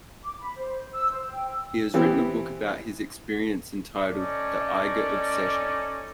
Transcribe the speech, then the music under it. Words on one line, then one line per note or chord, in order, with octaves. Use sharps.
He has written a book about his experience entitled "The Eiger Obsession".
D6
B5
C5
E6
C5
G5
E6
E3 B3 C4 G4
C#4 D#4 A4 D5